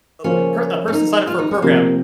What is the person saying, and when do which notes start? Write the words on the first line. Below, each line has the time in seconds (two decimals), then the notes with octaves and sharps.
a per a person signed up for a program
0.24 C#3 F3 A#3 C#4 F4 C5
0.88 C#4
0.92 D#4
1.27 F4
1.39 D#4
1.51 C#4
1.62 C3 F3 A#3 C4 G4